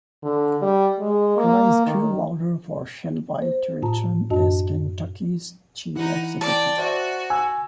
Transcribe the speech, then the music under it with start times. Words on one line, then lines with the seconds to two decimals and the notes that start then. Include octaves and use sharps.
Cries grew louder for Shelby to return as Kentucky's chief executive.
0.23 D3
0.62 G3
1.00 G#3
1.37 A#3
1.87 D#3
3.42 C5
3.82 A2 F4 A5 A#5
4.30 F#2 D4 F#4 D#5 A5
5.95 E3 D#4 F#5
6.41 D5 G5 A5
6.78 F#4 C5 D5 E5
7.30 G#5 E6